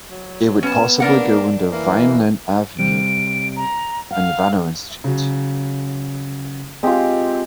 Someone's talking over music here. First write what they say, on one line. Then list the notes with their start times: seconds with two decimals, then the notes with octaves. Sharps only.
It would possibly go under Vineland Avenue and Vanowen Street.
0.10 F#3
0.63 B3 C#4 A5
1.00 A#3 D4 A#4 F#5
1.72 E3 A#3
2.78 C3 G3 D7
3.56 A#5
4.11 F5 F#5
5.04 C#3 F#3
6.83 G#3 C4 F4 G4